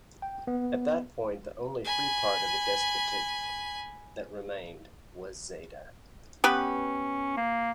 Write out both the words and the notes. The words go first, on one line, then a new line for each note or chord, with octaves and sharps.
At that point the only free part of the Despotate that remained was Zeta.
G5
B3
G#5 B5
B3 C#4 G4 B4
A#3